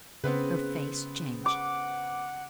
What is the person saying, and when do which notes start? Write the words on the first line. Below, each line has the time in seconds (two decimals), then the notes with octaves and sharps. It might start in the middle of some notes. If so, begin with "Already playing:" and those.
Her face changed.
0.24 C#3 B3 C4 B4
1.46 F#5 D6